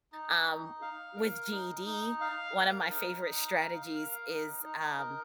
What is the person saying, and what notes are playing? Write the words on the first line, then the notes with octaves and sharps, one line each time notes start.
Um, with GED, one of my favorite strategies is, um
D#4
D#4
F5
A#4
D#4
D#4
F5
A#4
D#4
D#4
F5
A#4
D#4
D#4
A#4